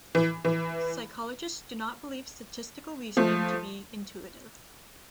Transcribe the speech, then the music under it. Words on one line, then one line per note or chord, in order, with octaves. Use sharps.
Psychologists do not believe statistical reasoning to be intuitive.
E3
E3
F3 A3